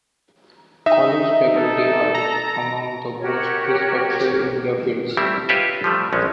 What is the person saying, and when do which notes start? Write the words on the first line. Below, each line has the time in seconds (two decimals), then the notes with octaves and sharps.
College faculty are among the most respected in their fields.
0.86 D#4 E5
1.56 A4
2.15 A#5
3.20 F#4 G4 A#4 C#5
5.17 G3 A3 C4 E4 G4 E5
5.49 F4 G4 B4 C#5 D#5 E5
5.84 F3 G3 A3
6.13 A#1 G#3 C#4